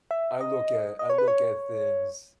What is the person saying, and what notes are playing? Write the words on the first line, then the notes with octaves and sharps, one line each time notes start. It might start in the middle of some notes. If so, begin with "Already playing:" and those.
I look at I look at things
E5
D#5
D#5
C#5
B4
C#5